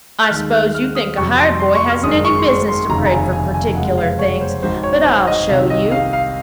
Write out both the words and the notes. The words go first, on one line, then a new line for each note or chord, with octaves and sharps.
I s'pose you think a hired boy hasn't any business to pray for particular things, but I'll show you.
F#6
D#2 D#3 G#3 F6
F#6
F6
D#6
F2 C3 F#3 C#6
C6
C6
C#6
F6
G#1 F#2 D#3 G#3 D#6
C#6
C6
C#6
C6
F1 D#2 C#3 A#5
A#5
G#5
G#5
G#5
F#1 F2 C3 F3 G#3 F#5
F5
C#5
C5
G#1 G#2 F#3 C5
C#5
C5
D#5
C2 C3 D#3 F5
D#5
F5
F5